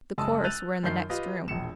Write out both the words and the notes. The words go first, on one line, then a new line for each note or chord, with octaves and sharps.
The chorus were in the next room.
F#1 G#3 A5 D#6 E6
E6 F#6 G6 A6 D#7 F7
F#2 D#3 F3 G6 C7
F4 G4 B4 D#5
E1 A#1 C#7 E7